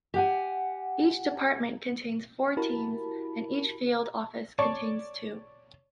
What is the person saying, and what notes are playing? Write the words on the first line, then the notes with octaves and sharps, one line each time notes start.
Each department contains four teams and each field office contains two.
G4 F#5 G#5
E4 F#4 G4 A#4 A5 B5
C#5 D5 A5 C#6